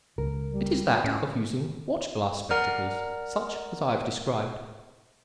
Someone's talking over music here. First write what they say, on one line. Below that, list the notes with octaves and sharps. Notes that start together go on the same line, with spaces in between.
It is that of using watch-glass spectacles such as I have described.
C#2 A#4
G3
A2 C#4
A#4 D5 F#5 A#5 F6